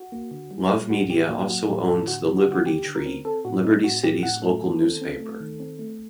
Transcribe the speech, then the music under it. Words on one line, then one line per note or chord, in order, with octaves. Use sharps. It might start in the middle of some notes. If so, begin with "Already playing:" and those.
Love Media also owns the "Liberty Tree", Liberty City's local newspaper.
Already playing: F#4
A#3
D3
G3
G3
A2 F#4
A2 G4
A#3 F#4
F#3 F#4
A2 G4
A2 A4
D3 F#4
G3
F#4
D3 F#4
D3 G4
D3
A#4
C4
C4 A4
A2 F#4
C4 D#4
A2 F#4
A2 G4
A2 F#5
A3 A4
D#3
C4
C4
A3
D#3
C4
A3